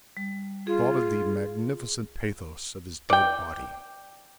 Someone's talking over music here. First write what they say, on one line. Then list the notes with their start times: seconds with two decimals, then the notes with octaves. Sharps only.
He thought of the magnificent pathos of his dead body.
0.17 G3
0.67 F4 G#4
3.10 D5 G5